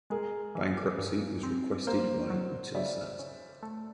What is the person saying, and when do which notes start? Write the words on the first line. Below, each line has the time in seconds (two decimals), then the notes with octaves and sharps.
Bankruptcy was requested by Eutelsat.
0.10 G#3 G#4 A#4
0.55 E3
0.98 G2
1.43 C4
1.87 A#3 A#4 C5
2.30 F#3
2.74 C#3 D5 E5
3.19 C#3
3.63 A3